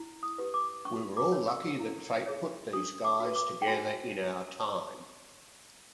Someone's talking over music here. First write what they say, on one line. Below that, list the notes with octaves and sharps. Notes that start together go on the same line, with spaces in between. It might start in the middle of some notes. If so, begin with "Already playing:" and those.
We were all lucky that fate put these guys together in our time.
Already playing: E4
D#6
G4 B4
D6
C#4 C#6
D6
F#4 A#4 C#5
E6
E4
G#4 C#5
D4 D#6
D6
F#4 B4
D6
G5
F#4 G#5